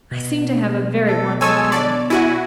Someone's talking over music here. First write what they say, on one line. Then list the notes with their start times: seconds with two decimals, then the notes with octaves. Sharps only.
I seem to have a very wandering pen.
0.11 B2
1.08 A4
1.41 G#3 A4 C#5 G#5 E6
1.72 D4 D5
2.10 E4 F#4 G#5